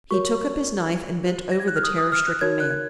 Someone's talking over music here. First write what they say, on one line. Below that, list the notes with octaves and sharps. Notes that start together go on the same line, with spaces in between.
He took up his knife and bent over the terror-stricken man.
F#4 A#4 C#5 C#6
F#4 C5
A#6
G#6
F#6
F6
D#6
D#6
F6
F#6
D#4 F#4 A#4 C#5 G#6
F#6
G#6